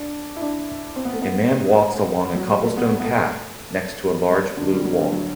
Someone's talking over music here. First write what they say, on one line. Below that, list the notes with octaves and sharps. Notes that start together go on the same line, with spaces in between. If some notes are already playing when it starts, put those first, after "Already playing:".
A man walks along a cobblestone path, next to a large blue wall.
Already playing: D4
E4
D4
C4
B3
A3
B3
F#3
G3
A3
B3
A3
B3
A3
G3
D3
G3
F#3
D3
F#3